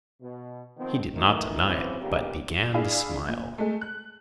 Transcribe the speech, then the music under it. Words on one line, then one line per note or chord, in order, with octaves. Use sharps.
He did not deny it, but began to smile.
B2
D#3 F3 B3 C4
D#3 E3 A3
C#3 E3 F#3 B3 C4
A#2 C#3 A#3 B3 D#4 G4
D4 E4 G#4 F5
A#2
G#3 A3
F#6